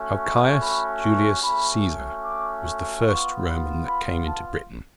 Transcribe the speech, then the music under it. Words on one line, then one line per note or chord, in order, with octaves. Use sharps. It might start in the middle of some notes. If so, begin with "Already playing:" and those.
How Caius Julius Caesar was the first Roman that came into Britain.
Already playing: A3 C#4 F#4
B5
A3 C#4 F#4 B5
D6
B3 F4 C#6
B5
A5